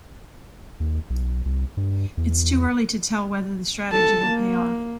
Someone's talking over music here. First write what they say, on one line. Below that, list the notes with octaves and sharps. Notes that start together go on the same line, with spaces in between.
Its too early to tell whether the strategy will pay off.
D#2
B1
C2
G2
E2
A4 A5
A#3